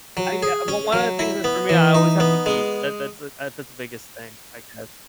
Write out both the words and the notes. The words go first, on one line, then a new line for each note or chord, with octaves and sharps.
I, uh well, one of the things is for me, I always have to eat. That that's the uh, that's the biggest thing I guess,
F#3
G#4
C#4
F#3
E4
B3
E3
D#4
B3
G#3